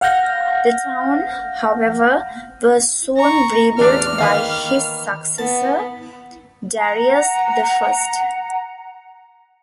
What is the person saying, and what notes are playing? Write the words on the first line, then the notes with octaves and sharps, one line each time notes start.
The town, however, was soon rebuilt by his successor Darius the First.
F5 F#5 F6 G6 A#6
A#5 C#6
A1 E2 D4 D5 F6
D#3 A#3 B4 F5
B3 A5
F#5 A#5